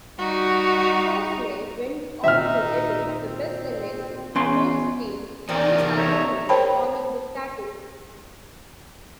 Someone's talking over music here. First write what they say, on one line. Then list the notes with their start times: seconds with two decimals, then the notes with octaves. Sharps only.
Hoseley went on to edit the best selling Amos-themed comic anthology "Comic Book Tattoo".
0.18 G3 D#4 F#4
2.24 G#1 A#2 D#4 E5 E6 F6
3.08 C4
4.35 E2 C#4 C6
5.49 E2 D#3 A#4 D5 D#6
5.78 C3 F3 G3
5.97 C#5 E5 A#5
6.49 A#4 C5 C#5 G5 A5 B5